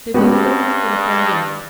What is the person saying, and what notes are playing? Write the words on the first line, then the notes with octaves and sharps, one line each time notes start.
They waited only for a fair wind.
G2 G#3 B3 C#4 F#4 G4